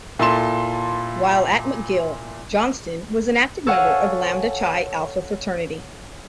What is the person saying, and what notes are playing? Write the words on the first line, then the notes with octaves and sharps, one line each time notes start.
While at McGill, Johnston was an active member of Lambda Chi Alpha Fraternity.
A#2 E4 A4 A5 C6 E7
A4 C#5 F5 F#5 G#5